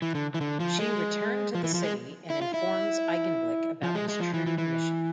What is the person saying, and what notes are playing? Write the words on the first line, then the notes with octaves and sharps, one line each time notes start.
She return to the City and informs Eigenblick about his true mission.
E3
D3
E3
D3
F3
G#3
F3
E3
F3
G#3
E4
F4
E4
F3
G#3
G#3
F3
E3
E3
E3